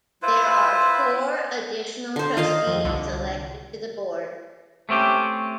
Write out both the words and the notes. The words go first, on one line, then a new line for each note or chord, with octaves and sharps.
There are four additional trustees elected to the Board.
E4 F4 B4 C5
D3 C5
D#3 F4 D#5 F5
F2
C2 D3
A3 C4 C#4 G4